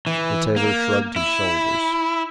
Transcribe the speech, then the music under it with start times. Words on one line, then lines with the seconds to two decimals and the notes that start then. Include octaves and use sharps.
The tailor shrugged his shoulders.
0.07 E3
0.56 A#3
1.16 E4